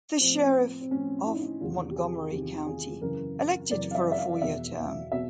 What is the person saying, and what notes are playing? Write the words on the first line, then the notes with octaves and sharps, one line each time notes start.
The sheriff of Montgomery County, elected for a four-year term.
A2 F3 C4
C4
A2 F3 C#4
E4
D#4
E4
E2 C3 D#3 F4
G4
G#4
E2 C3 D#3 G4
G#4
F#2 C#3 E3 A#4
F#2 C#3 E3 D5
F5
E5
E5
F5
E2 B2 E5
B2 E5